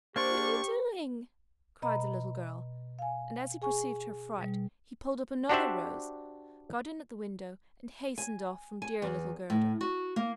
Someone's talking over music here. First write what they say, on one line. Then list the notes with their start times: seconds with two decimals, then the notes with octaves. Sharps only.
"What are you doing?" cried the little girl; and as he perceived her fright, he pulled up another rose, got in at the window, and hastened off from dear little Gerda.
0.16 A#3 D4 G4 C5 D5 C#6
1.82 B2 D#5 A#5 B5
2.99 F5 G#5
3.62 G#4 G#5 C#6
4.38 B2 G3
5.49 D4 F#4 G4 C5 D5 E5
8.18 G#5
8.82 G#5
9.02 E2
9.50 A2
9.81 F#4
10.16 A#3